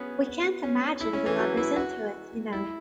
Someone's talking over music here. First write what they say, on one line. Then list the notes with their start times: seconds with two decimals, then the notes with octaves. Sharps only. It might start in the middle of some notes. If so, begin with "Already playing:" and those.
We can’t imagine the lovers into it, you know.
Already playing: B3 C#4 F#4 G#4
0.63 C#4
1.01 E4
1.13 C#4
1.26 E3
1.39 F#3
1.57 E4
1.76 F#4
2.53 E4